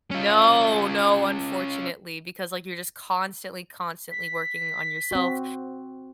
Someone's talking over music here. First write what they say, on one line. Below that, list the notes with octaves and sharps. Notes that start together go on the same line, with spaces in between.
No, no, unfortunately, because, like, you're just constantly, constantly working on yourself
C#4 F4
B6
C4 F#4